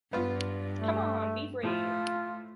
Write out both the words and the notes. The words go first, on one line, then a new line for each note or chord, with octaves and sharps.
Come on, be brave!
G2 B3 F4
A3
A2 F3 A3 F4